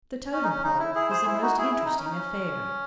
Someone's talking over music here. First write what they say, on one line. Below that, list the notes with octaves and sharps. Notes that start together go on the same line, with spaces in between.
The "totem pole" is a most interesting affair.
C#4
D#4
C#4
D#4
E4
E4 G#4
G#4 C5
E4
D#4 F#4
E4 G#4
E4
D#4
C#4
D#4
C#4